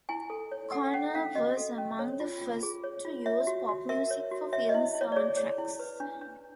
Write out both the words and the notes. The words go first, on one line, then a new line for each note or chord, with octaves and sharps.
Conner was among the first to use pop music for film sound tracks.
E4 G#5
A4
C#5
A4 F#5
C#4 F#5
C#4 F5
F#4 D#5
A4
C#4
C#5
F4
F4
G#4
C#5
F4
C#5 E5
F#4
F#4
A#4 E5
C#5
F#4
C#5 E5
D#5
E4
E4
C#5
D5
G#4 C#5
C#5
E4
B4
D4
D4